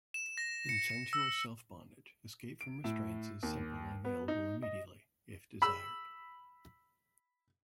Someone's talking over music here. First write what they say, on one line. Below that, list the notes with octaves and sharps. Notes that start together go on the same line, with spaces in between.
In sensual self-bondage, escape from restraints is simple and available immediately, if desired.
E7
A#6
C#7
E6
D7
A2
D#2
B3
D#4
D#5
B5 E6